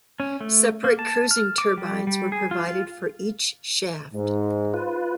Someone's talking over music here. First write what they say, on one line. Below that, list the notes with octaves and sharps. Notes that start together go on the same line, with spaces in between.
Separate cruising turbines were provided for each shaft.
C#4
A3
A#3
A5
F6
D6
G3
G3
G#4
F4
F4
G#2
F4 B4